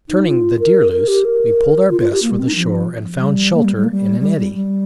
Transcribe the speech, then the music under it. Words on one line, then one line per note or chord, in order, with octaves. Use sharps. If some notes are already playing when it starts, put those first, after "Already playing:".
Turning the deer loose, we pulled our best for the shore, and found shelter in an eddy.
D#4
F4
A#4
A#4
G4
A#4
F4
F4
G4
A#3
G3
C4
D#4
F3
F3
G3
A#3
G3
G3
A#3
G3
G3
G3
G3